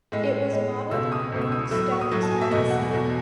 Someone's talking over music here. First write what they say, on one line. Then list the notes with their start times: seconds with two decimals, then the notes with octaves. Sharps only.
It was modeled on "Rolling Stones" magazine.
0.12 A2 G#3
0.52 A2 G#3
0.91 C#2 B2 A3 E6
1.12 D#6
1.32 C#2 B2 A3
1.41 E6
1.52 D#6
1.71 A2 F#3 A3 E6
1.91 C#6
2.01 D#6
2.11 A2 F#3 A3
2.23 A5
2.31 G#5
2.41 E5
2.51 E2 B2 A3 D#5
2.70 F#5
2.91 E2 B2 A3